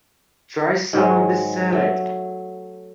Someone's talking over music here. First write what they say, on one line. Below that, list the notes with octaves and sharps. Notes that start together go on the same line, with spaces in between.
Try some of this salad.
G#2 D#3 F#3 G#3
F#3 A3